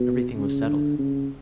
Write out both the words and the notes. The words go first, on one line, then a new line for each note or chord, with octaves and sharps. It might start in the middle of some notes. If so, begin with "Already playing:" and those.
Everything was settled.
Already playing: B2
C#3
D3
C#3